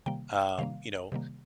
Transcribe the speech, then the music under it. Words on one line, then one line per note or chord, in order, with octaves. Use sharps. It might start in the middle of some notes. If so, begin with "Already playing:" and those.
Um, you know,
C3 D#3 G3 A#3 G5
C3 D#3 G3 A#3 F5
C3 D#3 G3 A#3